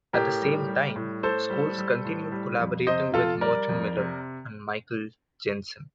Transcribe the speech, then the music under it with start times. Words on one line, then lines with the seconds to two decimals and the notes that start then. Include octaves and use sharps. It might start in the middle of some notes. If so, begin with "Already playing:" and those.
At the same time, Scholes continued collaborating with Merton Miller and Michael Jensen.
0.13 A2 G4 A#4
0.42 G3
0.68 G3
0.96 A2
1.23 A2 A4 C5
1.50 G3
1.78 G3
2.05 A2
2.32 G3
2.60 F2
2.87 C3 C5 D#5
3.14 F2 F4 A4
3.41 G3 A#4 D5
3.69 F2
3.97 C3